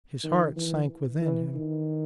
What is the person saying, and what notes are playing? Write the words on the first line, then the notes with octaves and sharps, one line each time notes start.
His heart sank within him.
D#3
E3
E3
D#3